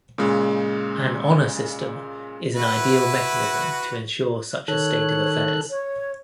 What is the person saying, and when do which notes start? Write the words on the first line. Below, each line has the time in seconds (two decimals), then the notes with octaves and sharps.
An Honor System is an ideal mechanism to ensure such a state of affairs.
0.18 A#2 C#3 G#3
2.55 E4 F#4 B4
4.68 D#3 A4 C#5 F#6
5.70 C#5